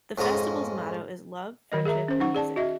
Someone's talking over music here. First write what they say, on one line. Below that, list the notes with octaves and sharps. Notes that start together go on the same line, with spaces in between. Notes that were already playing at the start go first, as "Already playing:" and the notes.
The festival's motto is "Love, Friendship, and Music".
F2 G#2 C#3 A#5 D#6
D#3 A#4 D#5
G#4 A#4 E5 A#5
C#4 C5
D#4 F#5 C#6
G#4 D5 A5
F#4 D#5 E5